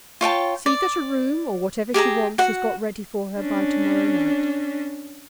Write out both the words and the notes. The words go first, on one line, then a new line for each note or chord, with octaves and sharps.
See that a room, or whatever she wants, is got ready for her by to-morrow night.
F4 C#5 G5 A5
D5
G4 G#4 A5 A#5
F#4 F#5
C#4 D4